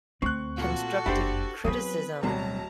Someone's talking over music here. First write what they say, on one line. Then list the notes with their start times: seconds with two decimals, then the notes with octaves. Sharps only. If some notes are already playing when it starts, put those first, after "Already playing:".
constructive criticism
0.22 D2 C4 C#6 F#6
0.58 A#2 F#4 A4
1.06 F#1 F2 D4 E4 G4 C5
1.64 F#3 B3 C4 E4 G#4 B4 D#6
2.23 D1 B2 F#3 G3 C4 A5 A#5